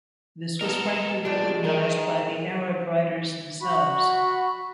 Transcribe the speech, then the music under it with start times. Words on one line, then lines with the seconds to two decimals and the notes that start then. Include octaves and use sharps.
This was frankly recognised by the Arab writers themselves.
0.61 G#3 B3 A4 A#4 D#5
1.25 F3 G3 G#3 D4
1.64 D#3 A#4
3.62 F#4 B5